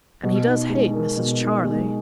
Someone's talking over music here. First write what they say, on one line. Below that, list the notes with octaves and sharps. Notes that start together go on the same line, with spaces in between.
And he does hate Mrs. Charley.
B2
D#4
G#3
A#4
B2
D#4
G#3